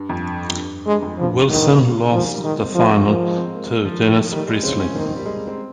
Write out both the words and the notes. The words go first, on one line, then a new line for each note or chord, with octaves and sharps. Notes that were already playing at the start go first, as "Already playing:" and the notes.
Wilson lost the final to Dennis Priestley.
Already playing: G2
F2
F2
G2
G2 G#3
F2
G2 F3
G#2 D#3
A#2
C3
C#3
C3
D#3 F3
G3
D#3 G#3
C4
F3 A#3
C4
F3 A#3
G#3
C4
A#3
A#3
F3
D#3
F3
D#3 G3
G#3
C#3 C4
C#4
D#3 C4
A#3
G3
G#3
C4